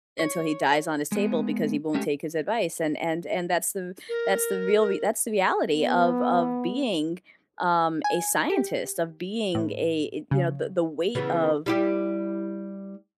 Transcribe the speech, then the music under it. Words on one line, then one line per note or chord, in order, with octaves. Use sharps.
until dies on his table because he won't take his advice, and and and that's the that's the real rea that's the reality of of being, um, a scientist, of being a you know, the the weight of
C#5
G#3 B3
G#3 A3 C#4 G4
A#4
B3
G#5
G4
A2
C#3
C#3 E3 B3
G3 E4 G4